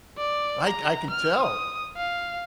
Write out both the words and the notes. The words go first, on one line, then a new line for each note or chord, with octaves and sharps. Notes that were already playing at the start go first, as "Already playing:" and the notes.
I ca I can tell.
D5
A#5
F6
D#6
F5